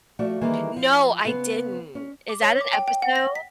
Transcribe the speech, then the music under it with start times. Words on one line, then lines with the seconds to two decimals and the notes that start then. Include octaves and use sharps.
No, I didn't. Is that an episode?
0.19 F3 A3 F#4 D5
0.41 D#3 E3 G3 A#3 G#4 A4
0.76 F3
1.25 C#3 B3 C5
1.95 C#4
2.29 D6
2.42 C#5
2.61 D6
2.73 G5
2.88 G5
3.02 F#5
3.16 A#6
3.35 B6